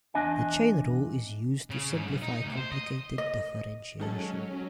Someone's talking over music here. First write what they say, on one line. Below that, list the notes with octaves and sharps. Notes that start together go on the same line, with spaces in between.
The chain rule is used to simplify complicated differentiation.
E2 D4 D#5 G#5
C#3
G#2
B1
D#4
D#4
D2
C5
D#5
D#5
D#3 F#3 G#3 C#4 A4